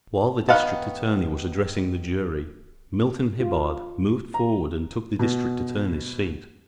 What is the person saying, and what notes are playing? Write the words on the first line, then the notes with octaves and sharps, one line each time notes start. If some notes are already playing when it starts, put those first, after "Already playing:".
While the District Attorney was addressing the jury, Milton Hibbard moved forward and took the District Attorney's seat.
D#3 B3 F5 F#5 A5
F4
A#5
B2